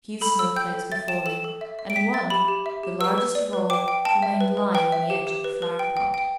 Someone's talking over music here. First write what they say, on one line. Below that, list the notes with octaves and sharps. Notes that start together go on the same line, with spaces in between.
A few snow-flakes were falling, and one, the largest of all, remained lying on the edge of a flower-pot.
A4 B5
A4 E6
G5 G6
A4
E5 A6
G5 E7
A4 E7
A4
E5
E5
D7
G5 B6
E5 A6
G4 B5
G4
E5
G4
B4 E6
B4
D5
B4
G5 D6
G5
G5 A5
E5
B4
B4
B4 G5
E5
G4
G4
B4
B4
G5
G5
G5